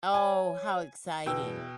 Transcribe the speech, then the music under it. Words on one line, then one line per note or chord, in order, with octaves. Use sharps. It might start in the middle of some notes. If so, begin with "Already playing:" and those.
Oh, how exciting,
C#5 G#5
E2 B2 G5 E6